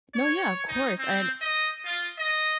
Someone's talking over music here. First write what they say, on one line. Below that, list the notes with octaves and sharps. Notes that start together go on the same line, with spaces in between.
No, yeah, of course and
C#5
D#4
C4
D#5
F4
D#5